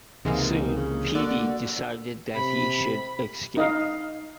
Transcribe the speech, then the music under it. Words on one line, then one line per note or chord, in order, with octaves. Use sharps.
Soon, Petey decided that he should escape.
C#2 G#2 C3 E3 G#3 A#3
D#3
C#3
D3 A#3 F#4 D5
C3 B5
D#4 D#5 F5